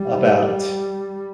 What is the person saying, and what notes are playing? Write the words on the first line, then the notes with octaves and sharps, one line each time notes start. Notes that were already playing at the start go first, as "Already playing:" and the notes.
about it,
Already playing: G3